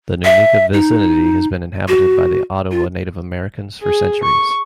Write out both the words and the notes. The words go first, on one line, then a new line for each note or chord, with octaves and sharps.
The Nunica vicinity has been inhabited by the Ottawa Native Americans for centuries.
E5
D#4
F#4
F4
G#4
C#6